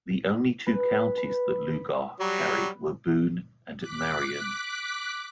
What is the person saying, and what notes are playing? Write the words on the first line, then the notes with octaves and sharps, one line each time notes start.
The only two counties that Lugar carried were Boone and Marion.
B4
B4
F#3 G3
D6 F#6 B6